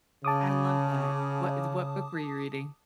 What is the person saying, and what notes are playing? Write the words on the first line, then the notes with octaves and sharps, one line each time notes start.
I love that. What is what book were you reading?
C#3 A5 D6 D#6